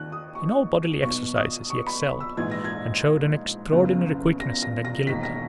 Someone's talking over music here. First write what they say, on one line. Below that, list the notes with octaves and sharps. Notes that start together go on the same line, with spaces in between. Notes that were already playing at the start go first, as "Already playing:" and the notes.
In all bodily exercises he excelled, and showed an extraordinary quickness and agility.
Already playing: D#2 D#3 F#6
D#6
C#6
B1 B2 C#6
D#6
C#6
B5
E6
A#1 G#2 E3 G#6
A#6
G#6
F#1 E2 C#3
A#6
A#6
A#6
E1 D#2 D#3 B6
A#6